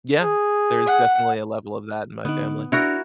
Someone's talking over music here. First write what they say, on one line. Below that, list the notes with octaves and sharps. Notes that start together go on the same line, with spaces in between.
Yeah, there's definitely a level of that in my family.
G#4
F#5
D3 B3 D#4
D4 E4 F#4 A#4